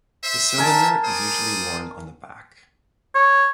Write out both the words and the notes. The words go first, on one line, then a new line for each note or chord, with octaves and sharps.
The cylinder is usually worn on the back.
C5 E5
A#4 G#5 A5
C5 D5 D#6
C#5